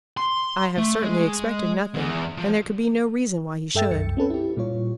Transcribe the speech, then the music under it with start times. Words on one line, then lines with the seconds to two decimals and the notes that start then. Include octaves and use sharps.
"I have certainly expected nothing, and there could be no reason why he should."
0.17 C6
0.78 A3
1.03 G#3
1.95 E2
2.37 F3
3.75 G2 A4 E5 G5 E6 A6
3.91 C2 F#2 C#7
4.17 C4 C#4 A4 B4
4.30 E4 G4
4.57 A#2 G3 F4 C#5